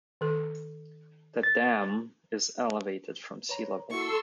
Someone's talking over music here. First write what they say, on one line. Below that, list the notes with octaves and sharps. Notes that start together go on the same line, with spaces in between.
The dam is elevated from sea level.
D#3 A4
A6
B4 C#5 A#5
A#3 E4 F#4 A4 C6 C#6 E6